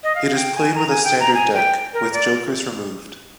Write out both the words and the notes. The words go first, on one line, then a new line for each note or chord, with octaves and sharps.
It is played with a standard deck, with jokers removed.
D#5
F5
G5
G#5
A#5
G#5
G5
A#5
G#5
G5
A#4
D5